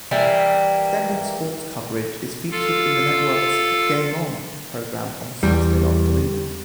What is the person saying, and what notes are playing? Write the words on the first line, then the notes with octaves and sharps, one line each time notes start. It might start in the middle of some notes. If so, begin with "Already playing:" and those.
Extended sports coverage is featured in the network's "Game On" programme on Saturday afternoons.
E3 G3 A#3
F4 A4 F5
E2 G3